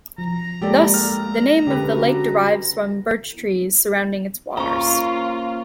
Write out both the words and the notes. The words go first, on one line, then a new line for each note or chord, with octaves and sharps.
Thus, the name of the lake derives from birch trees surrounding its waters.
F3 A#5
G#3 A#3 G4 A4 D5
F6
D3 C#4 G4 A4 B4
F#4
A#3 C#4 F4 C5 A#5 C#6